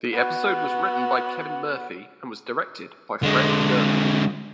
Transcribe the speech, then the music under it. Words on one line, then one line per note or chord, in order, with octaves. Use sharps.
The episode was written by Kevin Murphy and was directed by Fred Gerber.
B3 F#4
D3 G#3